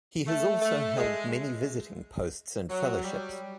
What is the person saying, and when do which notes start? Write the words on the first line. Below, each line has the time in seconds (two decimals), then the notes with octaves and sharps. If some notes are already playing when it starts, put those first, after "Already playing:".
He has also held many visiting posts and fellowships.
0.27 A3
0.61 A3
0.97 G#3
2.70 F#3
3.04 G3